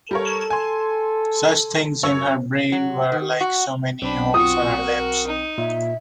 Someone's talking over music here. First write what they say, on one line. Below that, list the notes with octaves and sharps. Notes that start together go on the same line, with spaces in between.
Such things in her brain were like so many oaths on her lips.
G3 A4 A#4 C#5
G#5 C6
F#2 C#5 E6
F#3
D#3
F#4
B1 C4 D4 G5 B5
F4 F#4 C#6 D#6
A#4
D#4
A#2 E5